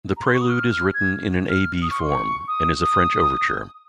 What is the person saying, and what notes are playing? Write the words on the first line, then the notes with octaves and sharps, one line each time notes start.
The Prelude is written in an A-B form, and is a French overture.
A#5
C6
C#6
D#6
F6
F6
G#6
F6
D#6
C#6
C6
C#6
D#6
D#6